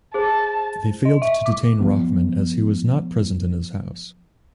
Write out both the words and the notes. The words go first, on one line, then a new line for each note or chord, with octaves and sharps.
They failed to detain Rahman as he was not present in his house.
G#4 C5 A5
D#5
E5
D6
F3 B3